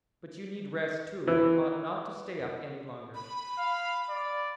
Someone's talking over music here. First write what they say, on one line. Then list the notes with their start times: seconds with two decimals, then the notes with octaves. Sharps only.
"But you need rest too, and ought not to stay up any longer."
1.27 E3
3.15 B5
3.58 F5
4.09 D5